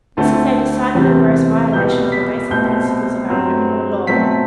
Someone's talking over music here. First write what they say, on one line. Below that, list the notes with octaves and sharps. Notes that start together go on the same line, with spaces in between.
This is a decided and gross violation of the basic principles of our criminal law.
D2 D3 A3 C4 A5
E2 C3 E3 G3 C4
C2 B2 G3 B3 G6
B6
C2 B2 A3 C4 G6
G2 F#3 C4
B2 F#3 A3 C4 B6